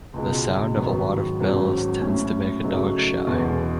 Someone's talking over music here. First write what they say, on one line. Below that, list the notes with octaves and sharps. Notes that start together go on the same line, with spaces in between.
The sound of a lot of bells tends to make a dog shy.
C#2 B2 G#3
G#2 D#3 F#3 B3
G#1 G#2 F#3 C#4
A2 F#3 C#4 E4
C#3 F#3 A3 D#4 G#4
E1 E2 B2 G#3